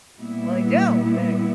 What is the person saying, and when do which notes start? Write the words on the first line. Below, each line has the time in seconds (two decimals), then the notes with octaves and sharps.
"Well, I don't," but
0.17 A#2 G3 B3 E4